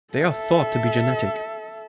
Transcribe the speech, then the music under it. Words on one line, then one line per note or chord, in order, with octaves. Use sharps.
They are thought to be genetic.
A4 E5